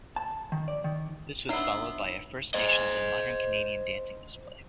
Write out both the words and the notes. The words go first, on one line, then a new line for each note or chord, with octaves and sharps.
This was followed by a First Nations and modern Canadian dancing display.
A5
D#3
D5
D#3
F#3 B3 D4 D#4 E5 C6 E6
C5 D#5